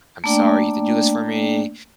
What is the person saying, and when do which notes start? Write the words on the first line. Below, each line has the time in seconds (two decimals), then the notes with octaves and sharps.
"I'm sorry you have to do this for me."
0.24 A3 A#3 D4 D5 G5